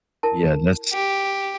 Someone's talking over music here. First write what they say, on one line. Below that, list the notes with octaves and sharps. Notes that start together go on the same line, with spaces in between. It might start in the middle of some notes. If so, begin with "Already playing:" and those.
Yeah, that's
E4 A#4 A5
G4